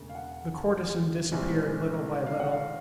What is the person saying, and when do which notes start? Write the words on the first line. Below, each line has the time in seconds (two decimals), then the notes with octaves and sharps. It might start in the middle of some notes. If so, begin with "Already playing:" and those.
The courtesan disappeared little by little.
Already playing: E1 D2 C#3
0.09 F5
0.15 F#5
1.32 A#1 G#2 E3 G3 C4
2.26 F5
2.40 F#5
2.52 F5